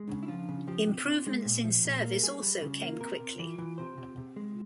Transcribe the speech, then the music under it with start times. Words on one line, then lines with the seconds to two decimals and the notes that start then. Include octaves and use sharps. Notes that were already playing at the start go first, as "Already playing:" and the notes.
Improvements in service also came quickly.
Already playing: G#3
0.09 C#3
0.23 E4
0.28 F3 F4
0.49 C#3
0.68 F3 G4
0.87 C3
1.06 C3
1.27 G#3
1.45 A#2
1.64 F3
1.85 A#2
2.04 A#3
2.23 G3 G#4
2.43 G3
2.62 C#3
2.81 A#3
3.00 C3 A#4
3.20 C3
3.39 E3
3.58 E3
3.78 C3 C5
3.98 C3
4.17 C3
4.36 G#3